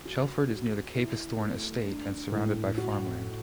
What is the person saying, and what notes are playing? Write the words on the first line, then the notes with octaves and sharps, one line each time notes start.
Chelford is near the Capesthorne Estate and surrounded by farmland.
F#4
F#4
E4
A3
D4
A2
F#4